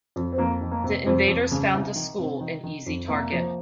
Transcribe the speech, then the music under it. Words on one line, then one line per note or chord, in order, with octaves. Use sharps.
The invaders found the school an easy target.
F2
C4
F2 A#3
D#3
A#3
C3
F2 C4
F2
C#3
C2
D#3
C3
D#3
D#3
F2
C2 A#3
F3